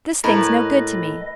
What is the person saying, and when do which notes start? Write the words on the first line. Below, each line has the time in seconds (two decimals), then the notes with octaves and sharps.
This thing's no good to me.'
0.24 A2 A#4 B4 D#5